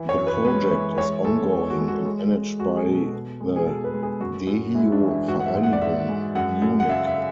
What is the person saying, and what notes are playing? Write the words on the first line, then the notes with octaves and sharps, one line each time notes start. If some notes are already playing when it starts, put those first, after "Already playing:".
The project is ongoing and managed by the 'Dehio-Vereinigung', Munich.
Already playing: E3
C#5
F#2
B4
G#3 B4
E3
B4
G#3 C#5
G#3 A4
G#3
F#4
G#3
F#4
G#3
G#3
G#3 F#4
G#4
B2
A4
B2
G#3
G#4
B2 A4
B4
G#3
G#4
F#2 F#4
F#2
G#3 E4
D4
E3
E4
G#2 F#4
F#5
E5
G#2
F#5
D5
G#2 E5
G#3
F#2 F#5
F#2
F#5
C#3 E5
E5